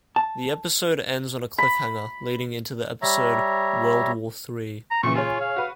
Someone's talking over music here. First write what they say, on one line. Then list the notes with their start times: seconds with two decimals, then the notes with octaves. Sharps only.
The episode ends on a cliffhanger, leading into the episode "World War Three".
0.16 A5
1.58 B5
3.02 G3 C#5 E5 A#5
4.91 A#5
5.03 A#2 C#3 E3 C#6
5.15 F4 G#4 C#5
5.41 F5
5.56 F#4 B4